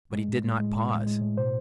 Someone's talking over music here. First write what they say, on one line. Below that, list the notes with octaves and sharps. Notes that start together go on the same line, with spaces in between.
But he did not pause.
G#3
A2
A2
G#3
A2
A2
G#3
A2
B2 C5